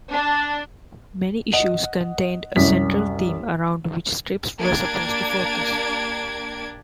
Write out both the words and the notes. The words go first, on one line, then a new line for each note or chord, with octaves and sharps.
Many issues contained a central theme around which strips were supposed to focus.
D4
D#5 F#5
C2 F#2 B6
A#3 D4 G4 G#6 D7